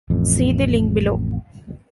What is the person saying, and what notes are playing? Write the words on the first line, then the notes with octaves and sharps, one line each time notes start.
See the link below.
A1 F2